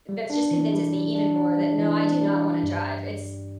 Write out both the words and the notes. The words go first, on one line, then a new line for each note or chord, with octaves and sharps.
that's just convinces me even more that, no, I do not wanna drive. It's
G3
D4
E3
G3
G3
D4
D4
G3
E3
D4
G3
G3
G2